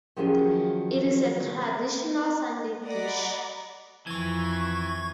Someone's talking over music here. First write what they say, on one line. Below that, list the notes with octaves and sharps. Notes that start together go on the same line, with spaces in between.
It is a traditional Sunday dish.
D#3 F3 F#3 C#4 G4 G#4
D5 D#5 F#5 A#5 B5
F2 E3 C#6 G#6